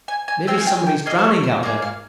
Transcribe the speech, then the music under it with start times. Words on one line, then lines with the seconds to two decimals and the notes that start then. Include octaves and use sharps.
Maybe somebody is drowning out there.
0.08 G#5
0.28 G#5
0.47 C4 F4 G#4 G5
0.58 G#5
0.67 G5
0.77 G#5
0.87 G5
1.06 F4 G#4 D#5
1.10 A#3
1.19 C5
1.25 C#5
1.44 C5
1.63 A#3 F4 G#4 D#5
1.82 F5